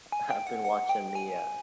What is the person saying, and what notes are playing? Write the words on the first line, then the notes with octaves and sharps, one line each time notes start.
I've been watching the, uh
G#5
G5
F#5
F#5
G5
G#5